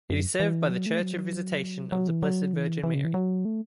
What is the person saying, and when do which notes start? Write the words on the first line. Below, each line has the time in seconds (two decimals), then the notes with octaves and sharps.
It is served by the Church of Visitation of the Blessed Virgin Mary.
0.10 F#2
0.40 E3
0.70 F#3
0.86 A3
1.01 F#3
1.92 F#3
2.08 E3
2.23 F#3
2.53 E3
2.84 E3
2.94 C#3
3.05 E3
3.14 F#3
3.45 A3